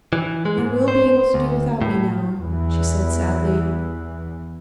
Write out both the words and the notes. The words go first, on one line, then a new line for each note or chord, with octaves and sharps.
"You will be able to do without me now," she said sadly.
E3
G#3
G#2
C5
D2
A2
E2 E3